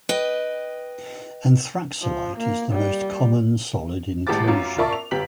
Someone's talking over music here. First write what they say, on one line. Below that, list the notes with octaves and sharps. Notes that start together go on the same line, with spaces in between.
Anthraxolite is the most common solid inclusion.
B4 D#5 G5
F3
A#3
G3
A1 G#3 G4 A5 D6 A6
F#2 C#4 F4
F4 A#4 D5 E5 A5 C#6
F7
G1 F#2 G4 B6 F#7